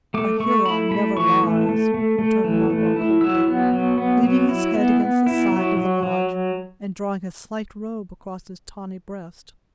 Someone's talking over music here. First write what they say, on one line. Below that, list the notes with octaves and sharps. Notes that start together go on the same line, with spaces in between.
"A Huron never lies!" returned Magua, coldly, leaning his head against the side of the lodge, and drawing his slight robe across his tawny breast.
A3 D6
A3 C#6
E4 B5
A3 B5
E3 C#6
A3
A3
A3
A3
E3
A3
E4
F#3 E6
B3
F#3
B3
F#3
E4
B3
B3
E4
F#3
F#3
F#3